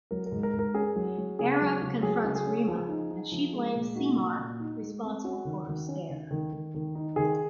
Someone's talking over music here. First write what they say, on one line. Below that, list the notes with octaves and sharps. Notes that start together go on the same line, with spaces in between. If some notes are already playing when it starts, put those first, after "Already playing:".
Aarav confronts Reema and she blames Simar responsible for her stare.
F#3 A#4
A#4
G#2
A#4
G#2
A#4
C#4 G#4
F#3
F#3
C#3 G#4
F#3
C#3
F#3 G#4
C#3
G#4
C#4
F3
D#4
D#4
F3
G#3
A#2
D#4 F#4
A#2
A#2
D#4
G#3
C4
C#4 F#4
D#3
D#3
C#4
D#3
D#3
D#3
D#3
D#4
D#3 G#4